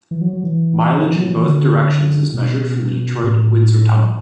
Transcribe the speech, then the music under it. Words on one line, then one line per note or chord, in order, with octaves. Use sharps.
Mileage in both directions is measured from the Detroit-Windsor Tunnel.
E3
F#3
F#3
E3
E3
F#3
E3
D3
B2
A2